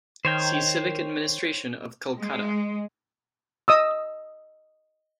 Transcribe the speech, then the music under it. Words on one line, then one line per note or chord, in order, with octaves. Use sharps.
See Civic administration of Kolkata.
D#3 C5 C#5 G5
G#3
D#5 D#6 E6